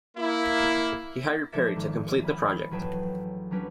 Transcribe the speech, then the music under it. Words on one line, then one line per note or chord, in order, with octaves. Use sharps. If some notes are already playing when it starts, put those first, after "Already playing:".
He hired Perry to complete the project.
A#3 E4
F3 G#3 A4 D5 E5
G#1
G#5 B5 F6
A1 F#3 G#4 B4 G5 A5
F#3 G3 C#4 D4 B4